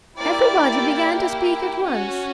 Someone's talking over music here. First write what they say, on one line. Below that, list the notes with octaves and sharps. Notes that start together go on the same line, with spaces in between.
Everybody began to speak at once.
A#3 E4 G4 D5
C#4 F#4